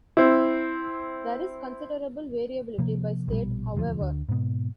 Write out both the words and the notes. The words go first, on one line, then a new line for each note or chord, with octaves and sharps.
There is considerable variability by state, however.
C4 E4
C3 F3 A#3
A#1 B2 G3
E1 D2 F3
D2 D3
G#2 B2